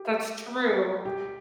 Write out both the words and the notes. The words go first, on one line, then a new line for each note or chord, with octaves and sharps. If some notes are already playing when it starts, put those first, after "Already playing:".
That's true,
Already playing: G4
G4